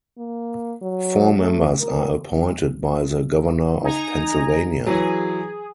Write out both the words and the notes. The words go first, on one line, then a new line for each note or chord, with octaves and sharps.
Four members are appointed by the Governor of Pennsylvania.
A#3
F#3
A3
A#4
D#4 G#5 A#5
E3 F#3 G#4